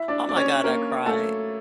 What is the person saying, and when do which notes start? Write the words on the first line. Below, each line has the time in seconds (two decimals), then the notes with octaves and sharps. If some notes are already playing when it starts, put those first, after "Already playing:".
oh my god, I cried.
Already playing: E4 E5
0.08 D4 D5
0.29 D5
0.36 C#4 C#5
0.64 A#3 A#4
1.06 A3 A4